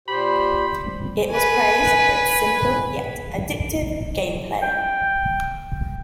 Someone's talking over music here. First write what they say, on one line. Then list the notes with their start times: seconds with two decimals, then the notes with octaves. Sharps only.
It was praised for its simple yet addictive gameplay.
0.08 A#2 G4 C5 B5
1.31 B4 G#5
4.62 G5